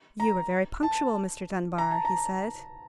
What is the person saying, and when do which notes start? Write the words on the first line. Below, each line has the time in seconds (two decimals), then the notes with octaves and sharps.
"You are very punctual, Mr. Dunbar," he said.
0.20 A#5
0.83 A5
1.78 A#5
1.91 A5
2.05 A#5